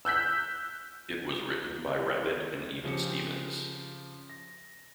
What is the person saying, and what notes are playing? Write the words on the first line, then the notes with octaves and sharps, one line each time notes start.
It was written by Rabbitt and Even Stevens.
E6 F#6 G6 B6
C#3 F3 G4 C#7
A#6